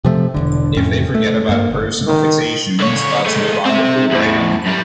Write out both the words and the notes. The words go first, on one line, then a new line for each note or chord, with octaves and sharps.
If they forget about personal fixations, thoughts move on to fluid writing.
C3 F3 A3
E1 C2 D3
F2 A2 C#4
A3
G2 A#3
G1
D#3
D3 C#5
A3 G#4
C4 E5
E2 A2
F#2 G3